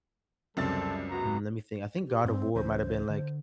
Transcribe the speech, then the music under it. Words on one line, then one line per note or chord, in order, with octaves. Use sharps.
mm, lemme think I think God of War might have been, like
C#2 F#2 C3 G3 C4 A4 A5 A6
B3 F#4 A#5
G4
G2 C4
C#2 E3 C#4 C5
D3